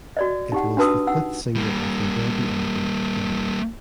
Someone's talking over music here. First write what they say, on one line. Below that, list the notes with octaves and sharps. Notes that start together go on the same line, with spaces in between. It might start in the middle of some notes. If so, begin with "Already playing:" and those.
It was the fifth single off their debut album "Getaway".
F#4 D5 D#5
D#4 G4 F#5
D4 F#4 B4 A5 D#6 E6
D#4 F#5 E6
G3 A#3